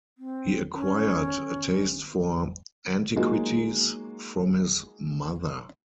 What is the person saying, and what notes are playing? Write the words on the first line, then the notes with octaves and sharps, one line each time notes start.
He acquired a taste for antiquities from his mother.
C4
C#4
F#3 G#3 A#3 D#4 F4 F#4